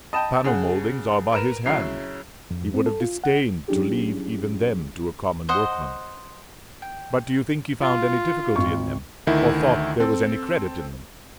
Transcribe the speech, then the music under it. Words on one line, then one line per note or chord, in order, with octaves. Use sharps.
The panel mouldings are by his hand; he would have disdained to leave even them to a common workman; but do you think he found any difficulty in them, or thought there was any credit in them?
D#5 G5 A5 B5 E7
C#3 G#4 F#5
A#4 B4 D7 E7
C#3 F#3 E4 C7
F2
C4
A4
F4
F#5
F#3 C#4 D4 E4 G4 G#4
C5 D#5 F#5
G5
F4
G#1 C#6
D2 D#3 E4
C4 A4